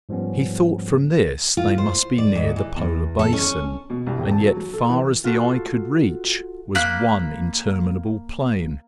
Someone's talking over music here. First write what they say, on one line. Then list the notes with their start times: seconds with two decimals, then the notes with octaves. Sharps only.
He thought from this they must be near the Polar Basin, and yet far as the eye could reach was one interminable plain.
0.09 G#2 F3 G3 B3 C#4
1.57 F4
1.78 C5
2.18 D5
2.35 G#2
2.56 E3
2.76 E2
3.19 A4
3.33 C#4
3.90 B2
4.07 C2
4.18 D#1
4.31 A5
4.44 F#3
4.57 F#3
4.73 A4
4.89 E3
5.24 F4 F#4 A4
6.75 A#3 B5 F#6